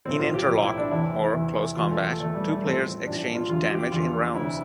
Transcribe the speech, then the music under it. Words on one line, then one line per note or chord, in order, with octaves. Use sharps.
In Interlock, or Close Combat, two players exchange damage in rounds.
B1 A2 F3 C4
F4
G4
B1 A2 F3 G4
E4
D4
E2 C3 E3 E4
E2 C3 E3
E2 B2 F4
A3
E2 B2 A3
G3
A3
A1 A2 F3 C4
A1 A2 F3 D4
F4
E2 D3 F3 F4
G4
E2 D3 F3 F4
D2 C3 E3 E4